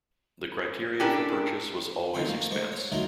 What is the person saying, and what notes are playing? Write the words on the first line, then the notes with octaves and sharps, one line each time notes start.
The criteria for purchase was always expense.
C#4 D4 E4 G4 A4 A#4
B2 D#3 E3 C4 C5 B5
A3 A#3
G#2 C5 C#6
C#5
D#3 F#3 A3 E4 F4 A#4